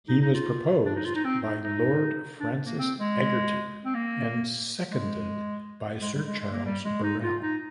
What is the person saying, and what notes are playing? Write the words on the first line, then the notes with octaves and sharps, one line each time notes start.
He was proposed by Lord Francis Egerton and seconded by Sir Charles Burrell.
D#4
D#4
F4
D4
D#4
F4
D#4
C4
D#4
D#4
D4
A#3
C4
G#3
C4
A#3
G#3
G#3
G3
G#3
G#3
A#3
G3
G#3
D#4
F4
D#4